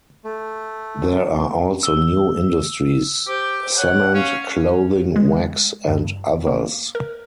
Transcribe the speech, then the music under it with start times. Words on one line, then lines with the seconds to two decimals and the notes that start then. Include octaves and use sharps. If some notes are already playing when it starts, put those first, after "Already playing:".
There are also new industries: cement, clothing, wax and others.
0.24 A3
1.83 E6 G7
3.27 G4 C5
3.77 C#5 F#5
4.14 C#4 F5
5.16 G#3
5.88 G2
6.47 A#3
6.95 A#4